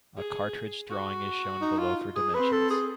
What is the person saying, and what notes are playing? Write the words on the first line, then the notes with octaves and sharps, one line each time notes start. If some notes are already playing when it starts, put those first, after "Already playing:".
A cartridge drawing is shown below for dimensions.
G#4
F#4
D#4
F4
G#4
C4 B4
A4
G#4